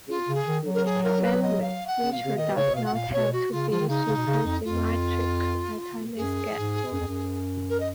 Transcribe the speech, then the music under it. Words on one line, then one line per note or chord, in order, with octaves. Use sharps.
Finally, Nature does not have to be supersymmetric at any scale.
F4
C#3
G#4
D#3
F#3
A#4
G#4
A#4
B4
D#5
F5
F#5
F5
C#3
D#3 D#5
C#3 C#5
B2 F5
F#5
A#2 F5
A#2
B2 C#5
F#4
C#3 F4
F3 F4
D#3
C#3 D#4
C#3
B2
C#3
F2
F2 F4
F#2 G#4
G#2
F#2
F2
F#2
A#4
D#5